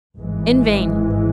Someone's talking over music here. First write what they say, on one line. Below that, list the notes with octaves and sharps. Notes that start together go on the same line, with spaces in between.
In vain!
G#1 G#2 E3 G#3